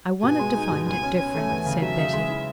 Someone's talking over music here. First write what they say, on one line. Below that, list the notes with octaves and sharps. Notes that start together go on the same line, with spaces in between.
"I wanted to find it different," said Betty.
B2 G#5
G#3
D#4
B2
C#2 G#5
C#4
C#4 G#5
A3
E2
C#3
F#3 E5
C#3
G#3
E4